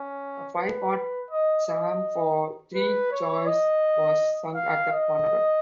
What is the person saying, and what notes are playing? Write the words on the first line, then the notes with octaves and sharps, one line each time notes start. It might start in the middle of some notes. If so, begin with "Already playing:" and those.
A five-part psalm for three choirs was sung at the funeral.
Already playing: C#4
B4
D#5
D#5
B4
C#5
D#5
F5
D#5